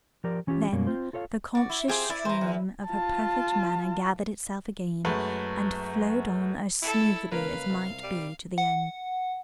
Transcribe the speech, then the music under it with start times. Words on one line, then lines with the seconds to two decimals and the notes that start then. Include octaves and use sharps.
Then the conscious stream of her perfect manner gathered itself again and flowed on as smoothly as might be to the end.
0.24 F3 G4 A#4 D5
0.47 E3 C#4 F4 G4
0.72 F#2 B2 A#3 C#4
0.87 C4 F4 C5
1.13 F4 A4 C#5 D5 F5
1.55 F#4 D5
1.70 E4
1.88 C4 F4 G4 G#4 C5
2.10 E4 D5
2.25 E3 C5 A#5
2.41 E2
2.87 F4 A5
5.05 F#2 G#3 A3 B4
6.82 E4 A4
7.32 C#2 A#3 A#4 B4 F5
7.70 C2
8.03 G3
8.58 F#5